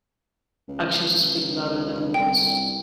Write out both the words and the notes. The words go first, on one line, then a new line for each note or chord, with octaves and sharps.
Actions speak louder than words.
C#2
C2 G5